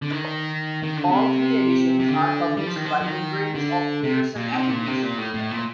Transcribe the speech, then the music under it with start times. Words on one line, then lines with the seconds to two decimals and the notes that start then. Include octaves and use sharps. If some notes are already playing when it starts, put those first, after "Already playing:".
All three editions are published by imprints of Pearson Education.
0.02 D3
0.12 D#3
0.83 D#3
0.97 D3
1.09 C3
2.00 C3
2.08 D3
2.57 G3
2.67 F3
2.76 D#3
2.85 F3
3.01 F3
3.06 D#3
3.55 D3
4.04 C3
4.36 A#2
4.52 C3
4.70 A#2
4.86 C3
5.02 A#2
5.18 A2
5.34 A2
5.51 A#2